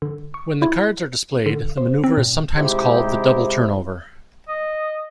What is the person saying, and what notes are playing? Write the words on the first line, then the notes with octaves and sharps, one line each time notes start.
When the cards are displayed, the maneuver is sometimes called the "double turnover".
D3
C#6
E4
D3
C5
C4
A#2
C3 G#3 D#4 E4 G4 C5
D#5